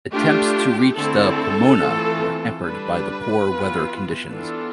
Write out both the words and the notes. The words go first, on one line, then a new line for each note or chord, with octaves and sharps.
Attempts to reach the "Pomona" were hampered by the poor weather conditions.
A3 D4 F4 G4
D3 A3 C4 E4 A4
E3 A3 C4 F4
D3 G3 D4 B4
E3 B3 F4
E3 B3 D4 F4 A4